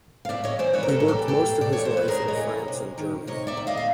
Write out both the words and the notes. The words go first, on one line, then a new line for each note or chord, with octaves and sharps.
He worked most of his life in France and Germany.
F5
A2 D5 E5
C#5 D#5
E3 C5 D5
B4 C#5
A#4
A2 A4 B4
A#4
G4 A4
E3
G4 A4
A2
D5
C#5
E3
C5
B4
A2 G#4 A#4
C#5 D#5
E3
C3
D#3
C3 C#5 D#5
D5 E5
D#3
D#5 F5
F5